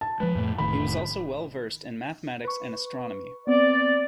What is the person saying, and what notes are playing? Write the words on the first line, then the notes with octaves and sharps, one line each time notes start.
He was also well versed in mathematics and astronomy.
A5
F3 G#3 B4
F2 A2 A3
F1 A2 D#3 B5
B4 C#6
B3 C4 D5